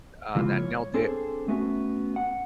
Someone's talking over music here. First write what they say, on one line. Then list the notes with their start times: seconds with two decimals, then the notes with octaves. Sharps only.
uh, that nailed it
0.35 C#3 F3 G#3 A#3 E4 F4
0.58 C#5
0.94 C4 D4 G#4 A4 C5
1.48 A3 B3 C#4 F#4 E5
2.16 F#5